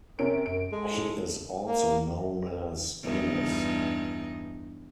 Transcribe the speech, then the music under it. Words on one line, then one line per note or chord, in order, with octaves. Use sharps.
He is also known as Anis.
C3 C#4 A#4 D7
F#2 D7
G#3 A4
A#3
E2 G2 D#4